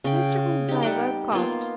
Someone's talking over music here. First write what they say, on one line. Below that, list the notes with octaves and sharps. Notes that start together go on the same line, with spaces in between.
Mr. Hoopdriver coughed.
C#3 G5
D#4 G4
G3 F#5 G5
A#3 B3 F4